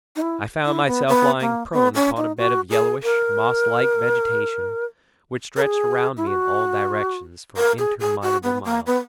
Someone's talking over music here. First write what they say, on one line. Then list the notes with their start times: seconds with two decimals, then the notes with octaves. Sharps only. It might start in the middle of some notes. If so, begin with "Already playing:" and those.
I found myself lying prone upon a bed of yellowish, mosslike vegetation which stretched around me in all directions for interminable miles.
0.16 D#4
0.22 E4
0.65 E4
0.87 B3
1.08 B3
1.41 A#3
1.73 B3
1.95 C#4
2.17 D#4
2.38 F#4
2.70 G#4
3.03 A#4
5.56 A#4
5.62 G#4
6.17 E4
6.27 F#4
7.57 A#4
7.79 G#4
8.00 G#4
8.22 F#4
8.43 B3
8.65 A#3
8.86 B3